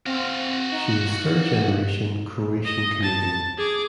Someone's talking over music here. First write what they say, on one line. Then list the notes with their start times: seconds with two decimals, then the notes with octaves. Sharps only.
She is a third-generation Croatian-Canadian.
0.06 C4 F#4 F5
0.72 D#4
2.65 D#5
3.03 A5
3.58 G#4 D6